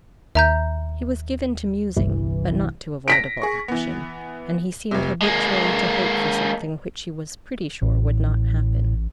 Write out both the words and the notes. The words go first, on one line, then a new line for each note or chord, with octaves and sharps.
He was given to musing but not to avoidable action, and he seemed habitually to hope for something which he was pretty sure would not happen.
D#2 E5 A#5 G6
G1 C2 G2 E3
A#6 B6 D7
G#4 C#6
E3 B3
F1 C3
G#3 A#3
A1 A2